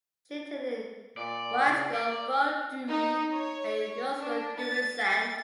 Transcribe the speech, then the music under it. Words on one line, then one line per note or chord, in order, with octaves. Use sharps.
She attended Ysgol Bro Dewi and Ysgol Dewi Sant.
A#2 D5
C#3
A#3 D5
A#3
D#4
C#5
D4
A6